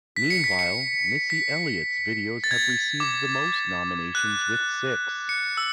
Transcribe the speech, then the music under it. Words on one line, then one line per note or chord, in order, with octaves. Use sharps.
Meanwhile, Missy Elliott's videos have received the most nominations with six.
B6
C#7
B6
C#7
B6
A6
G#6
A6
D6
F#6
C#7
E6